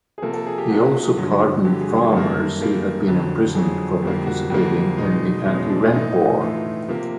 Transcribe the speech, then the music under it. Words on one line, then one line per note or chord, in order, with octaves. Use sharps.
He also pardoned farmers who had been imprisoned for participating in the Anti-Rent War.
G#4
C3 F3 A#3 A4
A4
G#4
G4
C3 F3 A#3 F#4
G2 D3 F#3
G2 D3 F#3 G4
G#4
G#4
F#2 D#3 G3 A#3 A4
F#2 D#3 G3 A#3
F2 D3 F#3
F2 D3 F#3 G#4
F2 D3 G3 A#3 G4
F#4
F2 D3 G3 A#3 F#4
F4
E2 B2 G#3 D#4
E2 B2 G#3 C#4
D4
E4
A2 E3 A3 D#4
A2 E3 A3 F4
F4
C3 F3 A#3 G4